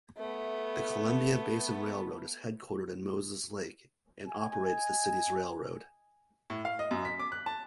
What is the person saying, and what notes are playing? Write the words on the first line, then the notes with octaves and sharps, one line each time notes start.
The Columbia Basin Railroad is headquartered in Moses Lake and operates the city's railroad.
A3 B3
D#5 G#5
A2
F5
D#5
F#2
B6
D6
F#6
A5